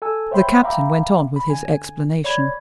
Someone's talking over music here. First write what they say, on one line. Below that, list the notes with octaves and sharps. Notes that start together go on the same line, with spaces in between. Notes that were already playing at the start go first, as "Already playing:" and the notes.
The Captain went on with his explanation.
A4 G#5 A5 E6
C5 C#5 E5 G5 B5 C6
E5 F5 G5 A#5 B5 D6
B5
D3 G#5
C#5 D5 B5 G#6